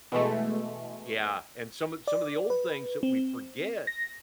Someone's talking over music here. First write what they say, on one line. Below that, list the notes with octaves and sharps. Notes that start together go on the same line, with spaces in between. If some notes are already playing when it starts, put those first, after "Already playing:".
Yeah, and some of some of the old things that we forget
B2 E3 G#3 A3
D5
B4
C4
A#6